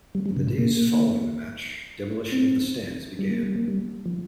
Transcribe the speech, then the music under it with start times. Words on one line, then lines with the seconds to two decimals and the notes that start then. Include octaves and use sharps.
In the days following the match, demolition of the stands began.
0.15 G3
0.26 G3
0.37 C3
0.47 A#2
0.58 A#3
2.32 C4
3.19 G3
3.31 A#3
3.43 G3
3.56 A#3
3.68 G3
4.06 F3